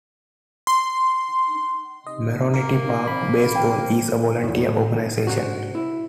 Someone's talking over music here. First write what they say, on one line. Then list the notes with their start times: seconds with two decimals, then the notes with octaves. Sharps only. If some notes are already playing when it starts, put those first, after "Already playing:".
Merrionette Park Baseball is a volunteer organization.
0.67 C6
2.07 C3 D#5
2.54 A#3 A#4
3.07 C4 B5
3.55 C4 G5
4.44 E2 A2
4.66 A2
5.27 G#2 C3 F#4
5.75 E4